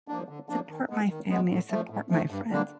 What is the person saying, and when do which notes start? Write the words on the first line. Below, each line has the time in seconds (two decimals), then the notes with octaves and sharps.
support my family. I support my friends.
0.08 F3 A#3 D4
0.29 D3
0.49 F3 A#3 D4
0.69 D#3
0.90 G#3 B3
1.10 D#3
1.30 G#3 B3
1.50 A2
1.70 F3 A3
1.90 A2
2.10 F3 A3
2.31 G2
2.51 D3 G3 A#3 D4